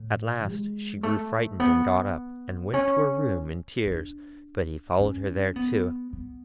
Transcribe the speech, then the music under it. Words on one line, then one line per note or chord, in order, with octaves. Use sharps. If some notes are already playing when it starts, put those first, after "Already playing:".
At last she grew frightened, got up, and went to her room in tears, but he followed her there too.
Already playing: A2
G#3
A3
B3
C#4
D4
C#4
B3
B3